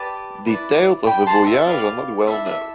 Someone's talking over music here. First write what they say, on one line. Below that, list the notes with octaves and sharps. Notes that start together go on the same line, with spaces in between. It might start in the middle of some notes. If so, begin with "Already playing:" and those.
Details of the voyage are not well known.
Already playing: G4 B4 D5 A5
E4 B4 D5
G4 D5 G5 B5
A5 C6
E5
G4 B4 D5 F5
E4 A4 D5 E5
E5